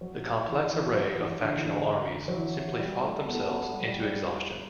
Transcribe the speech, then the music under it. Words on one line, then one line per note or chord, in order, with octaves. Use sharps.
The complex array of factional armies simply fought themselves into exhaustion.
F#3
E3
E3
F#3
E3
D3
E3
D3
F#3
E3
G3
A3
B3
A3
B3
G3
F#3
G3